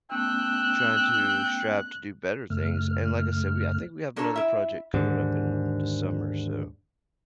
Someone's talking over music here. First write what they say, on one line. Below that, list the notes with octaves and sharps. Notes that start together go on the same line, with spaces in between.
trying to strive to do better things, and like I said, we I think we have another project coming up in the summer, so
A3 B3 C#4 G5 E6 F#6
F#2 C#3 A3 F6
A#2 A#3 D4 A4 C#5 A5
E4 E5
D#2 G#2 D3